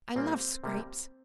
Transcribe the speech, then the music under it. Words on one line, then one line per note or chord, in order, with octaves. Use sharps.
I love scrapes.
A#2 G3 A#3 C4
C3 G3 A#3